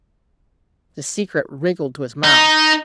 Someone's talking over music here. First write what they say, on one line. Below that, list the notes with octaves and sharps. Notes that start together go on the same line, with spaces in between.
The secret wriggled to his mouth.
D#4